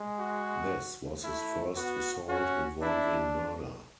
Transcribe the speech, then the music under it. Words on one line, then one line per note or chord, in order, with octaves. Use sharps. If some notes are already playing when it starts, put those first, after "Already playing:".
This was his first assault involving murder.
Already playing: G#3
F#4
A3 E4
B3 F#4
C#4 F#4
D4 E4